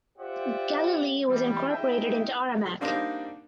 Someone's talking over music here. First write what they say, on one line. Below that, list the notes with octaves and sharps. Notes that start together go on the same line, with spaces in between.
Galilee was incorporated into Aramac.
F4 G4 C5 D5 E5 F#5
E3 G3
D#4 E4 G#4 D#5 E5 G5
D3 G3 A#3 C4 D4 D#4